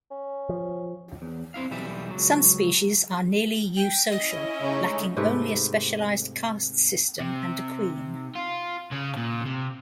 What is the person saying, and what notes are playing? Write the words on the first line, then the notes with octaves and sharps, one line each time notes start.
Some species are nearly eusocial, lacking only a specialized caste system and a queen.
C#4
F3
E2
C4 E4 F5
B1 E3 G3 G4 E5
C#2 F#3
G5
C#4 E4 D#5
C#3 G#3 A3 C#4 D#4
G#2 C3 A3 B4
C3
F4
C#3
A#2
C3